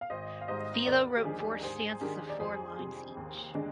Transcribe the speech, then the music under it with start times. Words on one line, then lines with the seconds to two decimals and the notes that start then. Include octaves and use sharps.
Thilo wrote four stanzas of four lines each.
0.01 F5
0.10 G#1 C5 D#5
0.41 F5
0.48 G#2 G3 C5 D#5
0.86 D#2 A#4 D5
1.17 G4
1.24 D3 F3 G#3 D#4 G#4
1.63 G#2 G#4 C5
1.91 G#4
2.01 D#3 G#3 D4 G4 A#4
2.29 D5
2.39 F2 G#4 C5
2.77 C3 G3
3.17 D#2
3.55 D3 G#3 D4